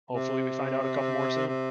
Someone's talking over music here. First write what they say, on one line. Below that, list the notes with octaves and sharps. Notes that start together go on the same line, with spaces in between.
hopefully, we find out a couple more soon.
C3
C3